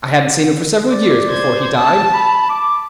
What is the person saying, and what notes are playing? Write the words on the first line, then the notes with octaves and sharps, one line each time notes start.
I hadn’t seen him for several years before he died.
D5
C5 G#6
A5
B5
D6